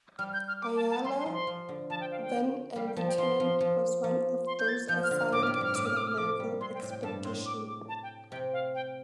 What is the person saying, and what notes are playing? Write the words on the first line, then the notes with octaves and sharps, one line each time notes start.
Ayala, then a Lieutenant was one of those assigned to the naval expedition.
G3 F6
G6
F6
D6
A5
A5
G3 C6
C6
F3
C6
F3
D3
F3 A5
G5
F5
G5
G3 F5
G5
F3 A5
G5
F3 C6
F3
F3
F3
C6
G6
A6
F3 G6
F6
D3
F6
A2 D6
C3 F6
D6
G2 F6
A2 D6
F6
D6
F6
F3 D6
G3
C3 C6
G5
A2
G5
G2 A5
A2 C6
D6
D6
A5
G5
C3 G5
F5
G5